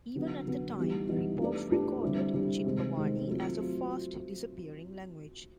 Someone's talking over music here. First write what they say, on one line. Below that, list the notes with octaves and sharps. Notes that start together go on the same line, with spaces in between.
Even at that time, reports recorded Chitpavani as a fast disappearing language.
D3 F#3 B3
D3 F#3 B3
E3 G3 B3 D#4 G4
E3 G3 B3 D#4 G4
A3 D4 G4 B4 D5
A3 D4 G4 B4 D5
D3 G3 C4 E4
D3 G3 C4 E4
C3 D#3 G#3 C4
C3 D#3 G#3 C4
F#3 A3 C4 F4
F#3 A3 C4 F4